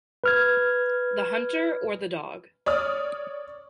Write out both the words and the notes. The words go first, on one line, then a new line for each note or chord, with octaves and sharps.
The hunter or the dog?
B4 F6 G#6
C#5 D5 D#6 F6